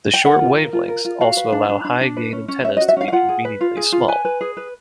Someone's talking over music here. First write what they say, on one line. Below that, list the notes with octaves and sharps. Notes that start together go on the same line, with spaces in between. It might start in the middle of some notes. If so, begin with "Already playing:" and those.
The short wavelengths also allow high gain antennas to be conveniently small.
G5
A#4 F#5
F4
A#4
F4
A#4
F4
F#4 F5
B4
D4
D4
D4
D4
B4
C#4
C#4
C#4 E5
D#5
F#4
E5
C#4 F5
F5
F4 F#5
G#4
B4
F4
G#4
F4
B4 G#5
B4
G#4
B4